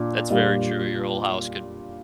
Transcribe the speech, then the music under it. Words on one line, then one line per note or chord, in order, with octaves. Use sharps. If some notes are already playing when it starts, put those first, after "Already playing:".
That's very true, your whole house could
Already playing: A#2 D4
A#2 G3 D4 F4